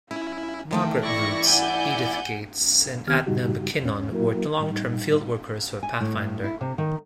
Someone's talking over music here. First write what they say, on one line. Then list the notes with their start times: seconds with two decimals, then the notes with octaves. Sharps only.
Margaret Roots, Edith Gates, and Edna McKinnon were long-term fieldworkers for Pathfinder.
0.11 C#4 E4
0.71 D#3 E3 A3 G5
1.03 E4 D5 C#6 A#6
1.46 F#5 G#5 G6
3.07 D2 D#3 B3 C4 G4 F6
3.27 G2 C#3 G3 D#4 F#4 G4
3.81 E2 C#4
4.11 F#3 A#3 E4 F#4 A#4
4.60 A2 G3 D#4
5.83 G#5
6.01 A2
6.18 A2
6.44 E4
6.61 C3
6.78 D#3